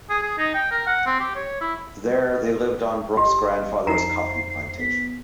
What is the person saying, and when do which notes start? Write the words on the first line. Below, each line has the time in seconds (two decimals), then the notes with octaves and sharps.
There, they lived on Brooks' grandfather's coffee plantation.
0.09 G#4
0.22 G#4
0.38 D#4
0.54 G5
0.71 A#4
0.87 F#5
1.06 C4
1.20 G4
1.35 C#5
1.61 E4
3.17 G1 G4 D#5
3.87 F2 D#4 C5 A#5 C7
4.79 B3 B6